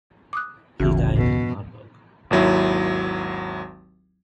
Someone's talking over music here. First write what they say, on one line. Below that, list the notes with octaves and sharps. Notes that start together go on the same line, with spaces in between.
He died in Marburg.
D6 D#6 F#6
G1 D2 C#3 E3 F#4
B2
G#1 D#2 F#3 E4